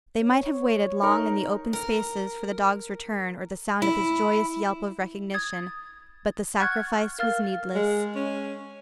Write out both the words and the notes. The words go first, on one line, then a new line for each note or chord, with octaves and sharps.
They might have waited long in the open spaces for the dog's return or the sound of his joyous yelp of recognition, but the sacrifice was needless.
C#5
D#4 A#4
A#4
E4
D#6 G#6 A6
F#5 C#6 F6 F#6 G#6 A6
A#4 F5 F6 A6
G#3
C#4